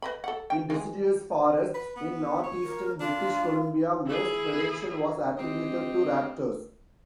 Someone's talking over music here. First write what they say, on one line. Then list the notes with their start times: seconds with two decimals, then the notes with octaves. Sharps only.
In deciduous forests in northeastern British Columbia, most predation was attributed to raptors.
0.02 B4 D#5 B5
0.24 A4 F#5
0.50 G5
0.70 G#3 G#4
1.74 B4
1.96 B3
2.43 C#5
2.63 A#4
3.00 D4 F4
4.06 E4 G#4
5.37 C4 G4 D#5